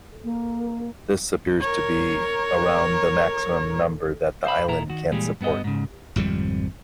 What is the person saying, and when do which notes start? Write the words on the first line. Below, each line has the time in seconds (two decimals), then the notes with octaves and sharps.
This appears to be around the maximum number that the island can support.
0.24 A#3
1.61 A#4 C#5
4.44 C5 F5 A5 B5
4.68 A#2 E4 A4 A#5
4.90 D#3 F#4
5.12 A#2 E3 G3 G#3 G4 G#4
5.41 G2 B3 F#4 D#5
5.64 G#2 C#3
6.16 G#1 F2 C3 G3